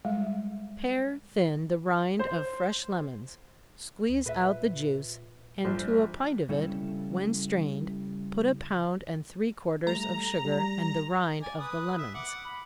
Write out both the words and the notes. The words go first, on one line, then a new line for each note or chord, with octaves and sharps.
Pare thin the rind of fresh lemons, squeeze out the juice, and to a pint of it, when strained, put a pound and three-quarters of sugar, and the rind of the lemons.
G3 G#3
C5
D2
A#2 B4 E5
A#1 G3 C5
C#3 G3 C#4 E4 A4
G3 A3 A#5
G3
D5 G#5
B4 D#6
E5
F#5 D6
B5